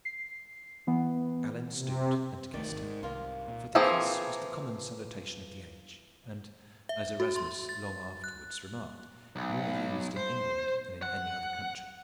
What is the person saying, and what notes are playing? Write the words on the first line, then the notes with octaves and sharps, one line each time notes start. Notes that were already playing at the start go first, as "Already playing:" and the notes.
Alleyne stooped and kissed her, for the kiss was the common salutation of the age, and, as Erasmus long afterwards remarked, more used in England than in any other country.
C7
E3 B3
C3
C2 D#3 A3 D5
D1 G#1
G#2
C2 D#3 A#3 F4
A#2
E3 F3 A#3 C4 G#4
E5
F#4
C6
A6
F#6
B1
C5
F#5